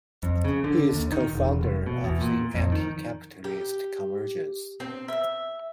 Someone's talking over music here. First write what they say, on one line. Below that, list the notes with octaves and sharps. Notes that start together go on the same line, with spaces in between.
He is co-founder of the Anti-Capitalist Convergence.
F2
C#3
D3
D#2
D#3
E1
F1
B2
E2
A#2
F2
D#3
G4
C4
E5